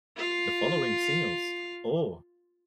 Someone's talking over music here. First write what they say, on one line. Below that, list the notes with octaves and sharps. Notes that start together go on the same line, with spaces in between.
The following singles, Ooh!
F4 F5